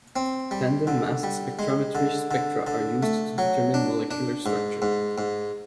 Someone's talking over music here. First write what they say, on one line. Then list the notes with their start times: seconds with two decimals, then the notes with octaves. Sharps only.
Tandem mass spectrometry spectra are used to determine molecular structure.
0.16 C4
0.51 G3
0.87 D3
1.23 G3
1.59 G#3
1.95 D3
2.31 D3
2.67 D3
3.03 A3
3.38 F#3
3.74 D4
4.11 D4
4.46 G#2
4.82 G#2
5.18 G#2